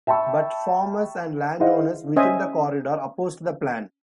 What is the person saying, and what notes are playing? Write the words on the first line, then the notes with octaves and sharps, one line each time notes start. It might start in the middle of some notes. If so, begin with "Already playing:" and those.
But farmers and landowners within the corridor opposed the plan.
E5 G5 A5 B5 C#6 E6
E4 G#4 C5 D#5 F5 F#5
C#4 C5 D#5 E5 G#5